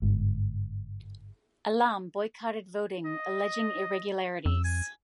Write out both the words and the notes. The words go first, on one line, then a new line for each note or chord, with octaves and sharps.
Alam boycotted voting alleging irregularities.
G1 G#2
D#5
F2 E6
G#5